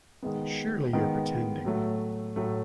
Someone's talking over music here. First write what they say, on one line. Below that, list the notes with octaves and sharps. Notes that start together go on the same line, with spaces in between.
Surely you’re pretending.
D#3 G#3 B3
D#3 G#3 B3
A2 F#3 A3
A2 F#3 A3